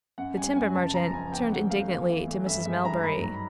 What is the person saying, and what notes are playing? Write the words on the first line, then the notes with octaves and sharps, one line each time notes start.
The timber-merchant turned indignantly to Mrs. Melbury.
F#2 F#5
G3 G#5
F#2 G#5
C#2 A5
F3 A#5
C#2 G#5
E2 G5
F#3 F#5
A3 F5
E2 F5
E3
A3
G2 E5
G#3 E5
G2 A#5
G#2 B5
F#3 A#5